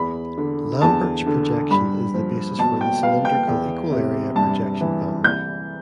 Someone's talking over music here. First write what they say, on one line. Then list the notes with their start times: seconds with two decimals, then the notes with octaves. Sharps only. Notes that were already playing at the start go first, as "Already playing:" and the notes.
Lambert's projection is the basis for the cylindrical equal-area projection family.
Already playing: E2 B5
0.38 D3
0.82 E2 A5
1.27 D3
1.70 G2 B5
2.14 F3
2.58 B2 A5
2.81 G5
3.02 B3 F5
3.25 G5
3.47 E2
3.92 C3
4.35 G2 A5
4.81 E3
5.24 C2 G6